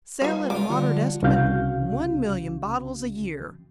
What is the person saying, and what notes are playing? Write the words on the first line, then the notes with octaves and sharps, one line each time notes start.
Sale, at a moderate estimate, one million bottles a year.
G3 F4 B4 F5
C#3 F4 D6
D3 F3 G3 F4
C2 C#3 C#4 F#4 F5 G6